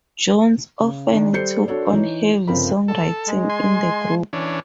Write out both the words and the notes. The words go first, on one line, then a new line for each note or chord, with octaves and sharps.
Jones often took on heavy songwriting in the group.
C#3
D#3 D4
G3 A4 C5 G6 C7 C#7
D4 F#4 A4 C#5
E3 D#4 C#5
G1 C#3 F3 C4 A#4 B5
A4
G#3
G#5 C6
E3 C#4 D4